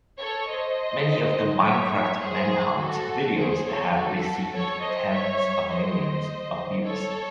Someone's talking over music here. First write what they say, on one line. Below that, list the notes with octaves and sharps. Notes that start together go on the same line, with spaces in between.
Many of the "Minecraft Manhunt" videos have received tens of millions of views.
A4 C#5
C5 D#5
C#5 E5
C#5 E5
G#4 C5
F#4 A4
G#4 C5
A4 C#5
F#4 A4
A4 C#5
C5 D#5
C#5 E5
C5 D#5
A4 C#5